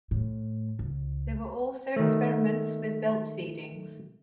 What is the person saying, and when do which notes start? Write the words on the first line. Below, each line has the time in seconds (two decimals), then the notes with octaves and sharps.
There were also experiments with belt feedings.
0.11 A2
0.79 C#2
1.96 D#3 A3